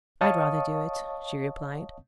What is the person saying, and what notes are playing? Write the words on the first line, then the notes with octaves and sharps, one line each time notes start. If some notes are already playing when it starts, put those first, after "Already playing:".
"I'd rather do it," she replied.
C#5 D#5 F5 A5 C#6 D#6